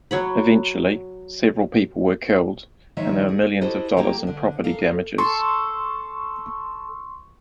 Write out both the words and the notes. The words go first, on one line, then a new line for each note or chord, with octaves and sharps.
Eventually, several people were killed and there were millions of dollars in property damages.
F#3 C#5 B5
D#3 F3 G#3 A#4 C#5 E5
G#4
E4 F#4 G4 A4 C5 D#5
F#3 A3 A#3 G4
D3 D4
A4 A#4 F5
A4 C6 C#6